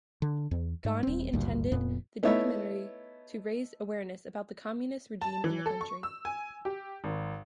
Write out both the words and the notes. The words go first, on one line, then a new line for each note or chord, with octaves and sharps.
Ghani intended the documentary to raise awareness about the Communist regime in the country.
D3
E2
G#2
D#1 C4
G#1 D2 G2 A#2
F1 F2 A#2 B3
A3 B3 D#4 E4 C#5 E5
A5
E3
A4
C#6
E6
G#5
G4
G#1